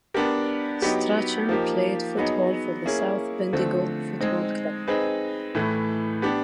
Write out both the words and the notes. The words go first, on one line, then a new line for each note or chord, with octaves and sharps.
Strachan played football for the South Bendigo Football Club.
B3 D4 G4 A#4
F#3 B3 D#4 G4
F3 A#3 D#4 G4
F#3 B3 D#4 G#4
A#3 C#4 E4 G#4
D3 F3 A3 C4
G#3 C4 D#4
C4 D#4 G#4 B4
A2 E3 A3
B3 D4 G4